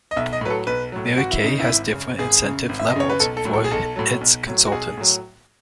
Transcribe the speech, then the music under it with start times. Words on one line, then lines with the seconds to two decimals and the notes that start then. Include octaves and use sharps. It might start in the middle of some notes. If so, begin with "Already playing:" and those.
Mary Kay has different incentive levels for its consultants.
0.11 D#5
0.16 B1 E5
0.33 D#5
0.41 A2 F#3 B4
0.50 A4
0.67 B1 B4
0.92 A2 F#3
1.17 G#1 F#4
1.31 E4
1.43 F#2 C#3 D#4
1.60 E4
1.68 G#1
1.94 F#2 C#3
2.18 G#1 G#4
2.44 F#2 C#3
2.69 G#1
2.80 E5
2.90 D#5
2.95 F#2 C#3 C#5
3.10 B4
3.20 B1 A4
3.37 A4
3.45 A2 F#3
3.54 A4
3.64 G#4
3.71 B1 A4
3.96 A2 F#3
4.21 B1
4.47 A2 F#3
4.67 F#4
4.72 B1 G#4
4.97 A2 F#3